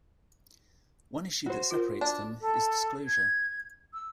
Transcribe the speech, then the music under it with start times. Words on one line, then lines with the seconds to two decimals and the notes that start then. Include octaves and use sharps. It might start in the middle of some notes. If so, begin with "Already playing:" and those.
One issue that separates them is disclosure.
1.46 F#4 C5
1.71 F4 A#4
2.01 D4
2.41 A4
3.07 G#6
3.94 E6